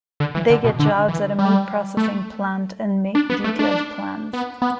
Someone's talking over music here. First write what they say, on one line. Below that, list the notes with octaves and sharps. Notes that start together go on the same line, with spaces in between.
They get jobs at a meat processing plant and make detailed plans.
D3
E3
D3
B2
D3
E3
G3
A3
D4
B3
A3
D4
B3
B3